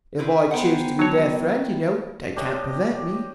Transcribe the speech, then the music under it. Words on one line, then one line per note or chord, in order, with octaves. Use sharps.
If I choose to be their friend, you know, they can't prevent me.
C4 E4 B4
B3 G#4 C5 F#5 G5 A#5
F#3 C#5 A5
D4 G4 C#5 D#5